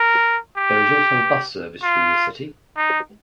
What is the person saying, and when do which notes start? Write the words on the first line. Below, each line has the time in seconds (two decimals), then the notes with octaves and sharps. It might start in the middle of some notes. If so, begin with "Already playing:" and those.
There is also bus service through the city.
Already playing: A#4
0.57 G4
1.83 F4
2.77 D#4